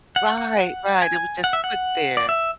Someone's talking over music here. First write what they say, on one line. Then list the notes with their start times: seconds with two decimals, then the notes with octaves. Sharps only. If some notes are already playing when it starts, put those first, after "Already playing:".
Right, right, it was just put there.
0.16 F#5
0.38 F#5
1.02 G#5
1.44 F#5
1.53 E5
1.64 F#5
2.17 D5
2.29 E5